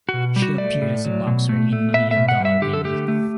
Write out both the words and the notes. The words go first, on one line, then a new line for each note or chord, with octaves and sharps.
She appeared as a boxer in "Million Dollar Baby".
B2 F#4
G3
F#4
A3 D5
A2
F#3
B2
A3
A3
B3 E5
E5
B2
F#5
G3 E5
D3 G4
A4
A3 G4
A3